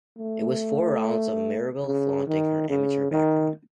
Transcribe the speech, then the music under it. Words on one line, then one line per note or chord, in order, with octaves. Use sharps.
It was four rounds of Maribel flaunting her amateur background.
A3
C#3
D#3
C#3
D#3